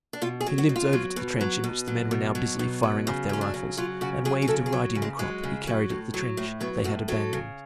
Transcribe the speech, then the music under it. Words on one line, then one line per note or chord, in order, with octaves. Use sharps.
He limped over to the trench in which the men were now busily firing off their rifles and waved a riding-crop he carried at the trench they had abandoned.
D4
B2 F4
G#4
F#3
F#4
B2
F4
F#3
B2
F#3
B2
F#3
B2
F#3
B2
F#3
C#3
F#3 C#4
D4
C#3
F#3 F4
C#3 F#4
F#3 G#4
G#4
C#3 A4
G#4
F#3
C#3
G#3
F#3 G#3
C#3
F#3
A2
F#3
A2
F#3 B3
A2 F#4
F#3 A4
C#3